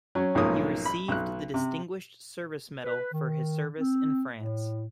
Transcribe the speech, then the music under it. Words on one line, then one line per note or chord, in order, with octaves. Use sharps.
He received the Distinguished Service Medal for his service in France.
F#3 C#4
B1 G#2 F3 A#3 C#4 D#6
B5
B1 F#6
C3
B4
D#3
C4
A2